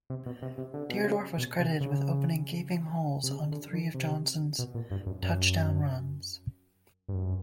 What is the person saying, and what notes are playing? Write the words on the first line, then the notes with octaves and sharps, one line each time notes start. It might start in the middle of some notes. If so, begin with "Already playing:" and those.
Dierdorf was credited with opening gaping holes on three of Johnson's touchdown runs.
C3
B2
C3
C3
D3
B2
C3
C#3
B2
C3
C#3
C3
C#3
D3
D#3
C3
B2
A#2
G2
F#2
F#2
G2
F#2